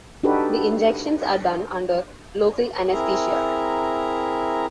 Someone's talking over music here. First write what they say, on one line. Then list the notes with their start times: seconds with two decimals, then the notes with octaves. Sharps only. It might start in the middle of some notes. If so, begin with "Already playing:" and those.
The injections are done under local anesthesia.
0.23 D4 D#4 F#4 G4 A4 B4
2.91 C4 E4 G#4 A#4 E5 A#5